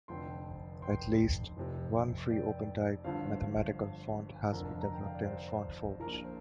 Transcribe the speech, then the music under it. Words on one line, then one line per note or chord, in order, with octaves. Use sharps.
At least one free OpenType mathematical font has been developed in FontForge.
F1 F2 D3 F3 G5 C6
G5 C6
F1 F2 C3 F3
D5 G5
G1 G2 D3 F3 C5 F5
F1 F2 D3 A#4
A#5
G5
F5
D5
C5
A#1 A#2 F3 A#4
C5